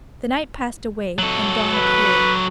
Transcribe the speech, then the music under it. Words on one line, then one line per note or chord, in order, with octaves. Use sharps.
The night passed away, and dawn appeared.
F#3 A4
B4